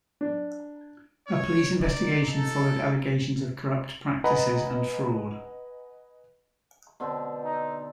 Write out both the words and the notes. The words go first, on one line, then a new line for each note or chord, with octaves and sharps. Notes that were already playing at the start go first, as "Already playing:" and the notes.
A police investigation followed allegations of corrupt practices and fraud.
D4
C#5
C#3 F3 D#4 D5
A4
B4 D#5 F#5 G#5 A#5 B5
B2 D3 C4
D#4